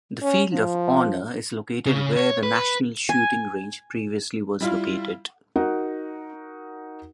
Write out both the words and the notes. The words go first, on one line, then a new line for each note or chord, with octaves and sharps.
The field of honour is located where the national shooting range previously was located.
C#4
F3
C#3
C#5
B4
G#5
G3 E4 F4
D#4 F#4 A#4 F#5